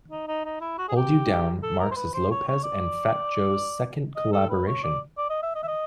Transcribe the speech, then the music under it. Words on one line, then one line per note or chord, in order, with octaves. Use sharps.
"Hold You Down" marks as Lopez and Fat Joe's second collaboration.
D#4
D#4
D#4
E4
F#4
G#4
G4
A4
A#4
C5
B4
C5
C#5
C#5
D5
D#5
A4
B4
C#5
D5
D5
D#5
E5
D#5
E5
D#5